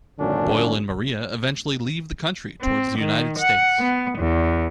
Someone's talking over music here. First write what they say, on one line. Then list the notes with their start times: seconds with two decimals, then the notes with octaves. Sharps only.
Boyle and Maria eventually leave the country towards the United States.
0.18 G#1 F#2 A#2 D3 C#4 D4
2.61 C4
2.99 D#3
3.39 F#5
3.79 B3
4.19 E2